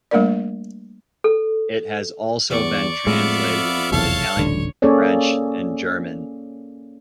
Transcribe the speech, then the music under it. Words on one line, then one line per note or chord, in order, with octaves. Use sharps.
It has also been translated into Italian, French, and German.
G3 A3 A#3 D4 A#4 D5
A4
E2 D5 C#6
F2 A2 G#3 B3 E5 F5
F1 B1 E2 A4 C#5 F5 A5
D#1 A1 D3
A#3 C#4 G#4 A4 C#5 D5